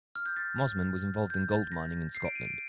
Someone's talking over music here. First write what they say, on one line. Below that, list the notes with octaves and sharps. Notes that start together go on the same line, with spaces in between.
Mosman was involved in gold mining in Scotland.
F6
G6
A6
G6
A6
A#6
C7
D7
D#7
D7